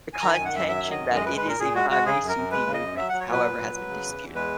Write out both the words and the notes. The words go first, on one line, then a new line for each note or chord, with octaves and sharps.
The contention that it is a primarily Sufi movement, however, has been disputed.
G#5
D#3 A#5
F#2 G#5
F#5
F#2 E5
F#3 E5
D#3
D#5
F#2
G#3 D#5
B4
G#3
B4
A#2 A#4
A#2 G#4
G#3 F#4
G#3 F#4
C#3 G#4
F#2
A#4
F#2
G#3 B4
C#3
D#5
F#2
F#3 E5
F#3 F#5
C#5
A#2 B4
A#2
F#3
F#3
C#3
E2
E2
G#3 B4